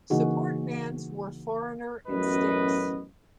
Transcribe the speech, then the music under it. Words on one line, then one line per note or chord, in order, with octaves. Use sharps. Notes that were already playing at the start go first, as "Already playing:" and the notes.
Support bands were Foreigner and Styx.
C#3 E3 A#3 D#4 F#4 G#4
A1 F#2 B2 B3 B4 D#5